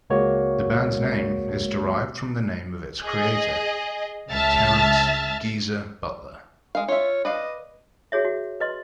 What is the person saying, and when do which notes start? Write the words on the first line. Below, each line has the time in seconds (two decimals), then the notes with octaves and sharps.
The band's name is derived from the name of its creator: Terence "Geezer" Butler.
0.10 C#2 G#3 A#3 F#4 C#5
3.03 G#4 D#5
4.30 C#2 E5 A5 F6 A6
6.75 G#3 F5
6.88 F4 C#5 E5
7.25 B4 D5 D#5 F5
8.12 F#4 G#4 C#5 E5
8.25 F#4
8.60 B4 D#5 C6